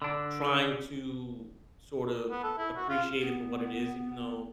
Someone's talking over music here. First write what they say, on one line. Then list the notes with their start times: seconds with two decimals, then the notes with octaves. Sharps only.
trying to sort of appreciate it for what it is, even though,
0.02 D3 D4
2.31 B3
2.43 A4
2.58 E4
2.77 F#4
2.89 F4
3.21 B3